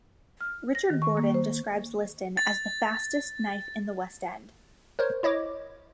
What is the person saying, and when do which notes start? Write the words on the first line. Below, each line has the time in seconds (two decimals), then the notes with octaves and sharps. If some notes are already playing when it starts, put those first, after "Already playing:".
Richard Gordon describes Liston as the fastest knife in the West End.
0.41 F6
0.75 A#6
0.90 D#3
1.02 C#6
1.17 A#3
1.34 C5
2.37 A6
4.99 A#4 C5 C#5
5.23 E4 C#5 D#5 D6